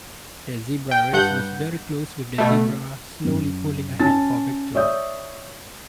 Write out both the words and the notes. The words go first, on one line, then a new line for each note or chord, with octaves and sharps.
The zebra race was very close with the zebra slowly pulling ahead for victory.
G5
G2 F#5 G6
B2 A3
F#2
C#4 A5 A6
C#5 D5 E5 D#6 G6